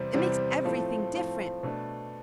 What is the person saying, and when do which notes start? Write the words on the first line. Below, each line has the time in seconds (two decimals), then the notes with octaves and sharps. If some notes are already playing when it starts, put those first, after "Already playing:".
It makes everything different.
Already playing: E2 C3 G3 C4
0.13 E2 C3 G3 C4
0.64 A2 F3 A3 C4
1.13 A2 F3 A3 C4
1.63 B2 A3 D4